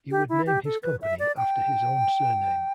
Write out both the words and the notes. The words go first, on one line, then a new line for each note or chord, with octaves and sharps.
He would name his company after his own surname.
G4
E4
G4
A4
B4
E5
D5
G5